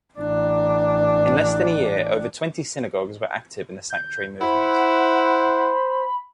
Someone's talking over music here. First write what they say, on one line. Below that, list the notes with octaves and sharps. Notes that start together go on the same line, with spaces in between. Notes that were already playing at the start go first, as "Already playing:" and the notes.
In less than a year, over twenty synagogues were active in the sanctuary movement.
A1 D4
G6
E4 C5 F#5 B5